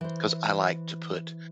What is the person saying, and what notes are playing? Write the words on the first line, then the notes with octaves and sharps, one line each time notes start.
'cause I like to put,
E3 C5